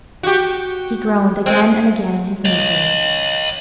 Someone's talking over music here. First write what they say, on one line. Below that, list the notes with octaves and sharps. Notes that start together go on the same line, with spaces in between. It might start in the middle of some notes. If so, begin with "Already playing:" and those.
He groaned again and again in his misery.
F#4 G4
G#3 C4
C#5 D#5